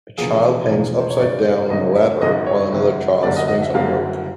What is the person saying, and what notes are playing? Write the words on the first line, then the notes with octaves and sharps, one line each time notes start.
A child hangs upside down on a ladder while another child swings on a rope.
E1 E2 C#3 F3 A#3 G#4
E1 E2 C#3 F3 A#3
C5
C#5
G#1 F#2 C#3 D5
G#1 F#2 C#3 D#5
E5
G#1 F#2 C#3 D#5
C#5
G#1 F#2 C#3
F#1 F#2 D3 G3 A#3 D5
D#5
D#5
E5
F#1 F#2 D3 G3 A#3 F5